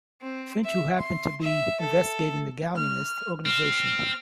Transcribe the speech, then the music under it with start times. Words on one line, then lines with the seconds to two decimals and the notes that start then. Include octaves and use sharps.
Finch, who happened to be investigating the "Galleanist" organization.
0.22 C4
0.64 E5
0.99 C6
1.41 E5
1.80 A4
2.76 F6
3.46 C4 F6